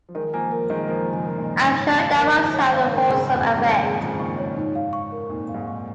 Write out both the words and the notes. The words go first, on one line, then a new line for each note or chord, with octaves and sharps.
I’m sure that must have a wholesome effect.
F3
D#3 G#3 A#4
F3 A#3 G#5
A#4
D#3 G#3 D#5
F3 A#3 A#4
G#5
C#3 F3
A#4
A#2 D#3
D#5
G#2 C#3 D#4
C#5
A#2 D#3
F5
C#3 F3
A#4
D#3 G#3 D#4
C#5
D#3 G#3
F5
A#2 D#3
A#4
G#2 C#3 G#4
G#5
F2 A#2
C#6
D#3 G#3
C#5
D#3 G#3 G#4
C#3 F3 G#5
A#2 D#3 C#6
G#2 C#5
D#4
F5
C#6
A#4
F2 A#2 D#4
F5
G#2
C#6